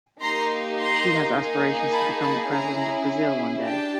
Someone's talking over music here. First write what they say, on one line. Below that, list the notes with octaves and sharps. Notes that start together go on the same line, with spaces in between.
She has aspirations to become the president of Brazil one day.
A#3 D#4 G4 A#5 C6
A#5 C6
A#3 D#4 G#4
A5 B5
A5 B5
C#4 E4 G#4 G#5 A#5
D4 G4 G5 A5